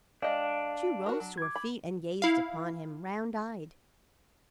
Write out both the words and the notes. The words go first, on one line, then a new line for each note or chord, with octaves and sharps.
She rose to her feet and gazed upon him, round-eyed.
G#3 D4 D5 D#5 F5 G5
F#4 A#4
F#3
D6 G#6
B5
E4 F5